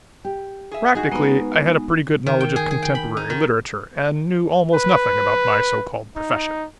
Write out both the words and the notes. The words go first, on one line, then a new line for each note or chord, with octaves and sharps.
Practically I had a pretty good knowledge of contemporary literature and knew almost nothing about my so-called profession.
G4
G#4 E5
D#4 F#4 G#4
G#3 B3 D#4 A#4 B4
D#3
G5
G#4
G#4
G5
B5
D#4
D#3
B4
D#4